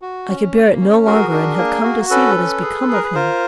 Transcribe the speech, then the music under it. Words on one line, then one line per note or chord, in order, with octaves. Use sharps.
I could bear it no longer and have come to see what has become of him.
F#4
C#4
A#3
C#4
F#4 G#4 A#4
D4
A#3
F#4
C#4 A4 B4
C#4
G#4
G#4 A4
A#4
B4
F4 A#4 C5